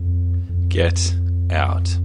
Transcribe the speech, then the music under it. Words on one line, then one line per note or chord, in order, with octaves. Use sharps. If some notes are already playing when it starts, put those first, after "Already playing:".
Get out!
Already playing: F2
F2